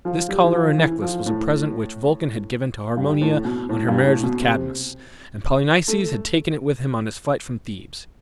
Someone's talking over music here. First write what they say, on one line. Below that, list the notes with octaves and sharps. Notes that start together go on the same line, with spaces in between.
This collar or necklace was a present which Vulcan had given to Harmonia on her marriage with Cadmus, and Polynices had taken it with him on his flight from Thebes.
F3
G3
E3
F3
E3
F3
A2
G2
A2
B2
A2
G2
A2
B2
C3
A3